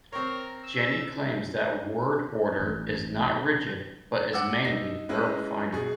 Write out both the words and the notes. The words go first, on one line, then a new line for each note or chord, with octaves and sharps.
Jany claims that word order is not rigid but is mainly verb-final.
C4 A#4 C#5
E6
A1
F#5 D6 E6
D#4 A#6
G#3 C#4 E4 B4
B2 G#4